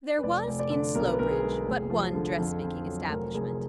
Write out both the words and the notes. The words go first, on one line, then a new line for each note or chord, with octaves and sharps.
There was in Slowbridge but one dressmaking establishment.
B4
F1 D5
F1
D5
D3
B1 A#4
B4
B1 A#4
G#4
G#3
F1
F3
D3
F2
F2
F#3
F1 A#4
F1 G#4